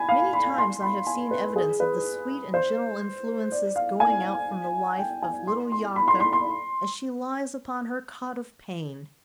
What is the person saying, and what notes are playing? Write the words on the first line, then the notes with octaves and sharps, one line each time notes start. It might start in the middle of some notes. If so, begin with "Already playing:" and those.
Many times I have seen evidence of the sweet and gentle influences going out from the life of little Yahkuk as she lies upon her cot of pain.
Already playing: G#5 B5
F5
B5
C6
B5
G#5
B4
G#4
B4
C5
D5
F5
G#5
G5
G#5
C6
C6
B5
C6
C6
C6